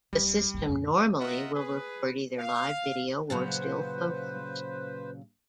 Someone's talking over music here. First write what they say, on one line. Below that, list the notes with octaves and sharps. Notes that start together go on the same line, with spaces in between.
The system normally will record either live video or still photos.
D1 G3
F#1 A2
F2 A#2
F4 A#4 D#5 E5 F#5
G#4 B4
F5
A#2 C#3 F#3 B4 C5